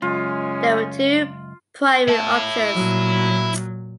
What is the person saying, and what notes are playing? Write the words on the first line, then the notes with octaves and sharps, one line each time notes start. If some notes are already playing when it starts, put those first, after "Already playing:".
There were two primary options.
C#2 F#2 G#3 C#4 F4
E4 A5
A#2 F#3